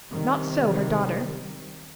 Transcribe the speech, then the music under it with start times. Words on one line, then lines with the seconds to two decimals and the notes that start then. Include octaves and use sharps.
Not so her daughter.
0.12 C3 D#3 G3